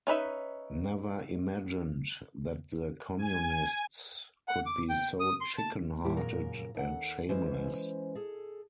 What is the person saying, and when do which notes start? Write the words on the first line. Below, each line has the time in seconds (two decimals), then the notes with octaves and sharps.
Never imagined that the Communists could be so chicken-hearted and shameless.
0.07 C#4 D#4 B4 E5
3.17 G#5
4.48 F#5
4.66 D6
4.89 G5
5.20 D#6
5.41 C6
5.58 A5
6.04 A2 G3 E4 G4
6.17 F#2 A#2 C#3 A#4
6.75 D#2 A4 F#5
7.29 E3 G#3 C#4 C5
8.15 G#4 A4